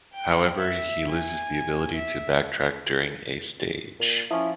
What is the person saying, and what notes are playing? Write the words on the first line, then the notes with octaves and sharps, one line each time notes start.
However, he loses the ability to backtrack during a stage.
G5
E5
G#5
E5
A#2
F3 C#4 E4